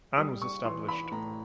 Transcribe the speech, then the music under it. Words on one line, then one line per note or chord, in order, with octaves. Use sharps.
Anne was established.
G3 D#6
C#6
E3 C6
B5
A2 A#5